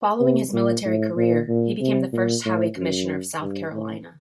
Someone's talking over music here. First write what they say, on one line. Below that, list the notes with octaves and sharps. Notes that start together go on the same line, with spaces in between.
Following his military career he became the first Highway Commissioner of South Carolina.
C3
A#2
A2
A#2
A#2
C3
A#2
A2
F#2
G2
A2